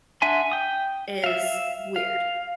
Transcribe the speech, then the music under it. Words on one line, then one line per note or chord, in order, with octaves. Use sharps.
is weird,
D4 E5 F#5 G#5 C6
G5 D#6
E5 F5
F5